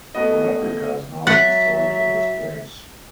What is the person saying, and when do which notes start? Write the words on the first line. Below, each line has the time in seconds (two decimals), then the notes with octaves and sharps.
A replica is now installed in its place.
0.15 A3 B3 F#4 D#5
1.27 F#3 E5 F#5 A6 B6